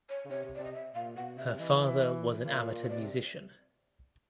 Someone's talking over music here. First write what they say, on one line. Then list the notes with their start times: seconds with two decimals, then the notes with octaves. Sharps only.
Her father was an amateur musician.
0.09 C#5
0.26 C#3
0.30 C3 C#5
0.45 C3
0.56 C3 D5
0.65 D#5
0.73 E5
0.95 A#2 F5
1.16 B2 F#5
1.38 C3 E5
1.59 E3 D#5
1.81 E5
2.45 A#2 F5
2.83 C#5
2.88 B2 D5
3.00 C3